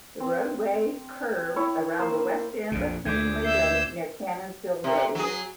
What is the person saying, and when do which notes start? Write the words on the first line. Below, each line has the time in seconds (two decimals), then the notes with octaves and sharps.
The roadway curves around the west end of Hemmingway Lake near Cannonsville Road.
0.20 C4
1.56 E4 C#5
1.99 A#3 C5
2.72 A#1 F2 A#2
3.05 D2 A#2 D6 G6 G#6
3.45 E5 E6 G6 C7
4.84 C3
5.15 F#3 G#4